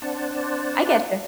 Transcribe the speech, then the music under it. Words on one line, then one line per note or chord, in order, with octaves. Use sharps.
I getcha.
C4 D4 C5 D5 F#5 A5